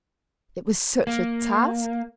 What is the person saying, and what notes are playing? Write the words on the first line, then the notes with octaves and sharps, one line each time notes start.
It was such a task!
A#3